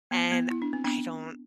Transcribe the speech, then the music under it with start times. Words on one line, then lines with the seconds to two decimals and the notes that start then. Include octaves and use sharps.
and I don't
0.11 B3
0.32 B3
0.50 E4
0.62 D4
0.73 C4
0.84 B3 D4